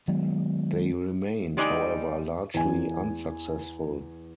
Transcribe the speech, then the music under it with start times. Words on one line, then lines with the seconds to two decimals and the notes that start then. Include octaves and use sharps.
They remained, however, largely unsuccessful.
0.08 D#3 F#3 G#3 B3
1.57 G3 G#3 D#4 D5
2.54 E2 G#5